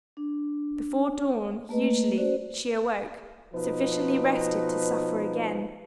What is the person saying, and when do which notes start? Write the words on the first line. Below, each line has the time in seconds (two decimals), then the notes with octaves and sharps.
Before dawn, usually, she awoke, sufficiently rested to suffer again.
0.17 D4
1.69 A3 A#3 B4 D#5
2.17 C#4 F#4 C5 D5
3.54 B2 F3 D#4 B4